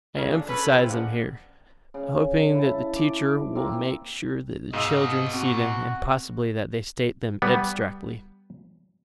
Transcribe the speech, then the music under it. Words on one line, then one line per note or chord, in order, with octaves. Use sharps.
I emphasize them here, hoping that the teacher will make sure that the children see them, and possibly that they state them abstractly.
C#3
D#2 A#2 D3 D4
C#4 G#4 A4 B4
C#3 E3 C4
G#3 C#4 D4 G#4 F5 F#5
C#3
E4 A5
D6
A#3 C4
G#2 B2 D#5 F5 E6
C4 F#4
G3 B3